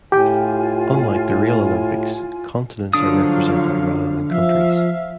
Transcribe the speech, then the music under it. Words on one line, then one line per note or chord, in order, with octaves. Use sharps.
Unlike the real Olympics, continents are represented rather than countries.
A2 F4 G4 G5 G#5
D3 F3 F#3 D4 F5 D#6
F3 E5 F5